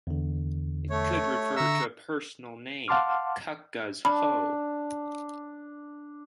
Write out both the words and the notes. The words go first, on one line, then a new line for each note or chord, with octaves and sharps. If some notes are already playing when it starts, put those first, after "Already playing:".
It could refer to a personal name - Cucga's Hoe.
E2 D3
A3 C#5
D3 E5 A#5 C#6 E6
F5 F#5 A5 C6 D6 F6
D4 B5